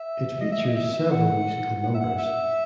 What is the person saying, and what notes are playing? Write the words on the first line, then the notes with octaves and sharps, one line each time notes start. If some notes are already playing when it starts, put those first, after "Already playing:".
It features several musical numbers.
Already playing: E5
D#5
E5
D#5
E5
E5
F#5
F#5
E5
F#5
E5